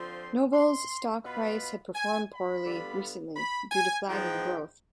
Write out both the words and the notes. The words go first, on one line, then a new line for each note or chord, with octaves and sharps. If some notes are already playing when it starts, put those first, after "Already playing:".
Novell's stock price had performed poorly recently due to flagging growth.
Already playing: D3 F3 C4 F4 C6
C6
B2 B3 F4 B5
G#5
B5
D3 G3 B3 F4
B5
G#5
G#2 F3 B3 D#4 G5